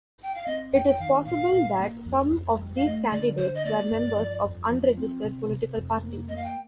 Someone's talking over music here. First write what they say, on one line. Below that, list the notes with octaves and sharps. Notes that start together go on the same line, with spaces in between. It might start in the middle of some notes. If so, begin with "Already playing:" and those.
It is possible that some of these candidates were members of unregistered political parties.
G5
F5
C4 D#5
F2 G5
G5
D#3 F5
A#2 F5
A#2
A#3
F2
F2
G3
F5
A3 D#5
D3 D5
D3 C5
D#5
A#3 D5
G2
F3
F2
F3
C4
C3
C3
F2
A#3
A#3 D#5
F5
G5